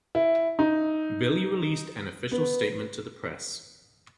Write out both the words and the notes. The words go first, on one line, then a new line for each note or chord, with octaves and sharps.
Billy released an official statement to the press.
E4
D#4
B3